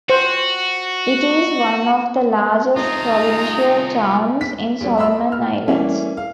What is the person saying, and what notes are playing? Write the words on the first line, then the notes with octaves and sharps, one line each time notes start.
It is one of the largest provincial towns in Solomon Islands.
F#4 C5
A3 D#4 F4 G#4 A#5 D#6
B6
D#2 G3
D#5 E5 B5 C6 E6
F6
E3 G3 A3 A#3 C#4 E4
F5